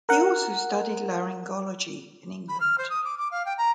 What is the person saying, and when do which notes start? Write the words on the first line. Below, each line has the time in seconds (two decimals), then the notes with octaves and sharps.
He also studied laryngology in England.
0.09 A#4 F#5
2.49 B5
2.60 F6
2.78 C5
2.90 D#6
3.05 D6
3.18 D6
3.31 F5
3.46 G5
3.58 A#5